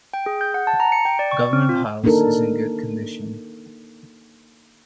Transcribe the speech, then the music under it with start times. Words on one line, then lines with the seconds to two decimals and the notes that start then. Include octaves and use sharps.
Government House is in good condition.
0.13 G5
0.26 G#4
0.41 G6
0.54 F#5
0.67 A5
0.80 A#5
0.92 C#7
1.05 G5
1.19 D5
1.31 C#6
1.53 C4
1.69 F4
2.04 A#3 D4 D#4 A4 A#4